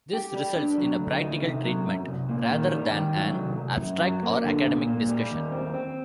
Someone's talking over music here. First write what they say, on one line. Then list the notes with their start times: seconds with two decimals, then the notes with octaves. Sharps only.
This results in a practical treatment rather than an abstract or academic discussion.
0.13 G4
0.34 G3
0.56 D4
0.78 F#3
0.99 D2
1.21 D#4
1.42 C3
1.64 F#3
1.86 F#2
2.07 C2
2.29 A#2
2.51 D#3
2.72 G3
2.93 D#3
3.14 F#3
3.37 C2
3.58 C2
3.80 F#2
4.01 F#3
4.23 A#3
4.44 D3
4.66 A#2
4.88 A#2
5.09 G3
5.31 D#2
5.52 C4
5.74 C4